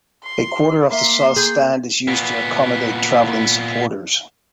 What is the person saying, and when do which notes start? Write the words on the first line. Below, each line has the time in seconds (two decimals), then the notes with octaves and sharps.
A quarter of the South Stand is used to accommodate travelling supporters.
0.24 C6
0.91 A#3 E5 C6
1.36 G#4 G6
2.08 A#2 B3